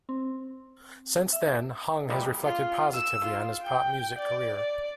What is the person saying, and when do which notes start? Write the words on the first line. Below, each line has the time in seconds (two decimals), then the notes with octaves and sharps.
Since then, Hung has reflected positively on his pop music career.
0.09 C4
1.33 E5
2.09 A#2 G3 G#3
2.44 F4
2.95 E6
3.25 F4
3.62 G5
4.19 D5
4.58 D5